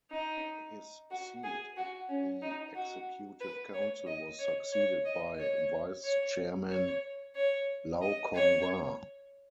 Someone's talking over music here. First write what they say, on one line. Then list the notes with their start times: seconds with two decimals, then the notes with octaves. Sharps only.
His seat at the Executive Council was succeeded by vice-chairman Lau Kong-wah.
0.11 D#4
1.11 F#4
1.44 G#4
1.77 F#4
2.08 C#4
2.42 D#4
2.75 F#4
3.40 B4
3.73 C#5
4.07 D#5
4.39 C#5
4.72 C#5
5.05 D#5
5.39 C#5
6.04 C#5
6.70 C#5
7.35 C#5
8.01 D#5
8.34 C#5